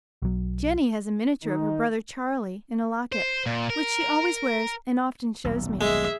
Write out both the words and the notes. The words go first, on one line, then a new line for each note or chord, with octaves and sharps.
Jenny has a miniature of her brother "Charley" in a locket, which she always wears, and often shows me.
B1 F#3
D#3 D#4
C5
A#2
A#4
D#1 B1
G#3 G#4 E5